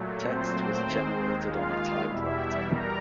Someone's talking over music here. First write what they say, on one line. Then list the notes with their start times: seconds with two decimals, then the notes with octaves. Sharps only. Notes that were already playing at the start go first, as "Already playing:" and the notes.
Text was generated on a typewriter.
Already playing: A#2 F#3 A3
0.21 C4 C5
0.83 D#2 D#3 G#3
1.45 F4 F5
2.07 E2 B2 G3 E4 E5
2.70 A#4 A#5